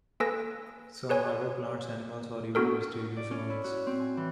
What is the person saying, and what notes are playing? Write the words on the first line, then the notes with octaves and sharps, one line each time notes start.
Some harbour plants and animals, or even mysterious ruins.
A#3 A4 B4 G#5 E6 A#6
G#4 B4 C#5 G#5
B3 D4 F#4 A4 A#4
D5
C#4
E4
F#4
C4
G#5
E3